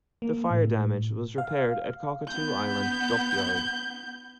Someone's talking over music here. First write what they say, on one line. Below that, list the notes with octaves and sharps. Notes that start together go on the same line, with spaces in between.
The fire damage was repaired at Cockatoo Island Dockyard.
A#3
A2
F5
B3 G6